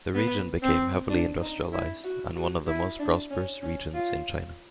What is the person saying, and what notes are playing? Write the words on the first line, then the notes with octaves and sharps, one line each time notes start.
The region became heavily industrialized and one of the most prosperous regions in China.
B3
C4
D4
D#4
E4
F#4
F#4
E4
D4
C#4
C#4
F4